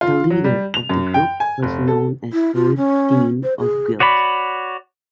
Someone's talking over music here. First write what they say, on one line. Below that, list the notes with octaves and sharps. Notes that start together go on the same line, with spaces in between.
The leader of the group was known as Lord Dean of Guild.
F4
F#3
G3
F7
F#2
G5
G#5
F1
A4
E4
F4
C#4
C5
G#4
F#4 C#5 D5 B5